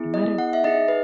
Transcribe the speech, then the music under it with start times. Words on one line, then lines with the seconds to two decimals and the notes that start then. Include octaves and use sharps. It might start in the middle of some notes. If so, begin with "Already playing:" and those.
it might've
Already playing: B3 E4 G#4
0.14 D#5
0.38 F#5
0.53 E5
0.64 D#4 D#5
0.67 G#4
0.88 B4